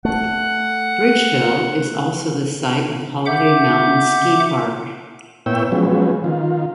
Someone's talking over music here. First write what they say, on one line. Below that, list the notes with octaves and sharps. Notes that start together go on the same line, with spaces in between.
Bridgeville is also the site of Holiday Mountain Ski Park.
A3 F#5
E5 F#5 D6 G6
A#2 B3 E4 C#5 G5 E6
F3 F#3 G#3 B3 C#4
D#3 F4